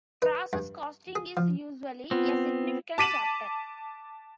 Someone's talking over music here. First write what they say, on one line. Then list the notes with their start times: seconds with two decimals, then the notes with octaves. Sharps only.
Process costing is usually a significant chapter.
0.22 B4
0.53 G2
1.16 G#4
1.37 F3
2.11 B3 C4 F4
2.98 A5 D6 B6 D#7 E7 F#7